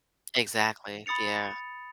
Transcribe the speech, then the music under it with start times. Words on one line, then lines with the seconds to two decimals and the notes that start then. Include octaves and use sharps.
Exactly, yeah.
1.06 B5 D#6 A6 C#7 F7